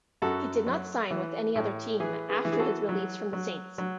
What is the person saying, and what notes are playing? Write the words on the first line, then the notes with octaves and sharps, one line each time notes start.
He did not sign with any other team after his release from the Saints.
F#2 F#4 A4
F#3
E3
A2
E3 G#4 B4
G#4 B4
E3
G#4
F#4 A4
F#3
F#3
F#3